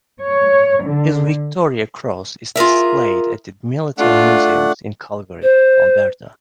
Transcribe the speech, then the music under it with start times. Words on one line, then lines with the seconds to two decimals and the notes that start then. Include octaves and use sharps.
His Victoria Cross is displayed at The Military Museums in Calgary, Alberta.
0.22 C#5
0.85 D3
2.56 F4 G#4 A#4 E5
3.98 A3 D4 F4 F#5
5.42 C5